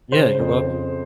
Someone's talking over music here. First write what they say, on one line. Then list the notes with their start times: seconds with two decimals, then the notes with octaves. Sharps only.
Yeah, you're welcome.
0.12 C#3 C5
0.39 F2
0.67 F2